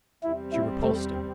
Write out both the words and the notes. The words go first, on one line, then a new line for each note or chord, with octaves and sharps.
She repulsed him.
E2 C3 G3 C4 E4
E4
A3